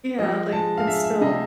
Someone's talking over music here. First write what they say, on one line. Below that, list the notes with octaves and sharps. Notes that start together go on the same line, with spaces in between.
Yeah. Like, it's still
F3 D#5
G#3 A5
F5
G#3 E5
E5
C3 D#5